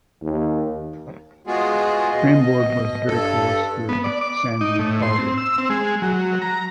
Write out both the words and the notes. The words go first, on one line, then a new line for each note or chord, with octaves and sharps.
Kreymborg was very close with "Sandy" Calder.
D#2
G#3 B3 F4 F#4 G#4
B2 D#5
G2 A4
B3
D5
D6
D#4
A2
C6
C4
E6
C4
G#3
F#3
A#5